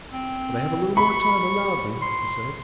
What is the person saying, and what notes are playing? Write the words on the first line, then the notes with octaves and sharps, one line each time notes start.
'But I have a little more time allowed me,' he said.
C4
B5 C#6
C6